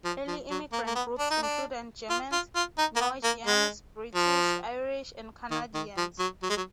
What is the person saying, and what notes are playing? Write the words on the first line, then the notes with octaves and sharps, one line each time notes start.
Early immigrant groups included Germans, Norwegians, British, Irish, and Canadians.
F3
F3
F#3
A#3
A#3
B3
D4
D#4
D4
F4
F4
F4
D#4
A#3
B3
A#3
G#3
F3
D#3
D#3
F3
F#3
F#3
G#3
F#3